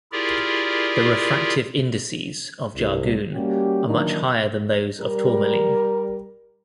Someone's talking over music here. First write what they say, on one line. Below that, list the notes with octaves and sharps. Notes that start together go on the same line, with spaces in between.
The refractive indices of jargoon are much higher than those of tourmaline.
E4 F4 G4 G#4 A#4 D5
C2
G3 A#3 C#4 F#4 G4
D#3 E3 F#3 A#3 D4 D#4
G3 A#4